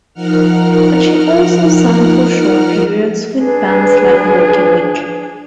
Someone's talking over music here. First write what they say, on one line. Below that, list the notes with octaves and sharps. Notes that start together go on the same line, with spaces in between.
But she also sang for short periods with bands like Working Week.
F3 D#4 A#4 F#5 F6
D4 G#4 B4